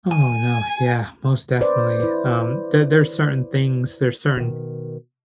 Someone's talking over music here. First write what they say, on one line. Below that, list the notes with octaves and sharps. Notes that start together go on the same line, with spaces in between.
Oh, no. Yeah, most definitely. Um, there there's certain things there's certain
G#5
B4 C5 D5
E4 B4
B2 D#3